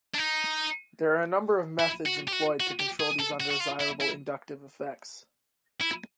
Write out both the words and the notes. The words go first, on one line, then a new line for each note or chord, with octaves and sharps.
There are a number of methods employed to control these undesirable inductive effects.
D4
D#4
E4
F#4
G4
F#4
F#4
G4
G#4
A4
F#4
F#4
F4
E4
E4
E4